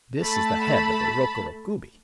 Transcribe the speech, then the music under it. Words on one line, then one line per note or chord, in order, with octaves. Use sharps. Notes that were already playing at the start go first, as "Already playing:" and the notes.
This is the head of a Rokuro-Kubi.
A3 A5 B5